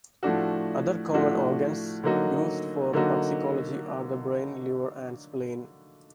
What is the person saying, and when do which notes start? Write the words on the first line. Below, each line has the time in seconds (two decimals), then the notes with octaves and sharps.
Other common organs used for toxicology are the brain, liver, and spleen.
0.23 A2 F3 A3 D4 F#4
1.13 A2 F3 A3 D4 F#4
2.03 D3 F#3 A#3 D#4 F#4
2.93 D3 F#3 A#3 D#4 F#4